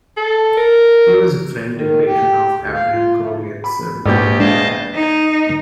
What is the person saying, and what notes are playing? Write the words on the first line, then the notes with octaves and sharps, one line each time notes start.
He was a friend and patron of Abraham Cowley and Sir William Davenant.
A4
A#4
D#3
G4
D2
F5
F4
A3
B5
A#1 G#2 B3 G4 G6
G#3 D4 D#5 F5 A5
D#4